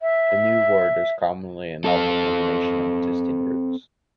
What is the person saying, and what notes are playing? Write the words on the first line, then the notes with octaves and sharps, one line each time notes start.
The new word is commonly a novel combination of existing roots.
E5
C4 A4